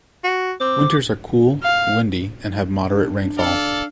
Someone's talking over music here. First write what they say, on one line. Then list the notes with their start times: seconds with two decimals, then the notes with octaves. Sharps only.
Winters are cool, windy and have moderate rainfall.
0.24 F#4
0.60 C4 D6
1.63 F5
2.90 D4
3.37 A4 D5 F5